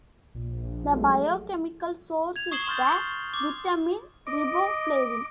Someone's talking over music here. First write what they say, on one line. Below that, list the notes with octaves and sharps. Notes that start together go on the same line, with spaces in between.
The biochemical source is the vitamin riboflavin.
A#1
F#3 G#3 A3
G#6 F7
C#6 D#6 C7 E7 F#7 G7
C6 F6 G6 A6
C#6
D6
D#5 D6